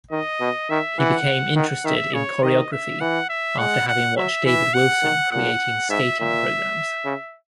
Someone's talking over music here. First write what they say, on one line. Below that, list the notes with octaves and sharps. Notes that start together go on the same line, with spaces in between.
He became interested in choreography after having watched David Wilson creating skating programs.
D#3 D#5
B2
D#3 E5
E3 F#5
D#3 F#5
D#3 E5
C#3 C#5
D#3 D#5
E5
E3 F#5
E5
G#3 F#5
F#5
F#3 E5
E3 E5
F#5
D#3
A#2 F#5
G#2 E5
A#2 E5
C#3